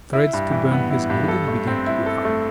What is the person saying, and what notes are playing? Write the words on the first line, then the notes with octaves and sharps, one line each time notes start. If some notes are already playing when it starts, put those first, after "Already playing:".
Threats to burn his building began to be uttered.
E4
G2
E3
B3
E4
G2
A4
A3
C4
E4
A4
A3